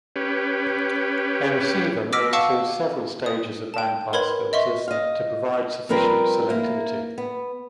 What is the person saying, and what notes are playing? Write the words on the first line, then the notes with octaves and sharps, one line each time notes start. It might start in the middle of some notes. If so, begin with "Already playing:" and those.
A receiver may include several stages of bandpass filters to provide sufficient selectivity.
C#4 G4 B4
D6 E6 F6 A#6 B6 D7
F5 F#5 A5 C#6 D6 E6
D#6
G5 A5
A#4 B4 C#5 B5 C6 G#6
D#5 E5 C6 C#6
D#5 F5
F3 G3 C4 A#4 B4
A#3 E4
B3